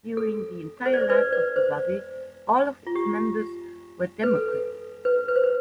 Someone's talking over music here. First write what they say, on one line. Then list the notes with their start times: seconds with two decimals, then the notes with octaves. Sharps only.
During the entire life of the body, all of its members were Democrats.
0.17 A4
0.86 C5
0.94 D5
1.01 C5
1.10 B4 D5
1.32 B4 D5
1.56 C5
2.87 F4
2.95 G4
4.23 B4
4.35 A4
5.05 B4
5.28 B4
5.36 C5
5.44 B4